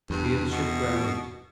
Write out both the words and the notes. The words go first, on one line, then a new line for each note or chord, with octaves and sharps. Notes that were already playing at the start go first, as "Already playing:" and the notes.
Here the ship grounded.
E2 G2
B2